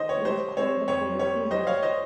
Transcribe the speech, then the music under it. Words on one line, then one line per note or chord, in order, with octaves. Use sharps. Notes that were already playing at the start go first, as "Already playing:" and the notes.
It was called the Four Seasons.
Already playing: D#3 C5 D#5
C#5
G3 C5
C4 C#5
F2 C#5
G3 C#5
G3 C5 D#5
C#5 F5
C5 D#5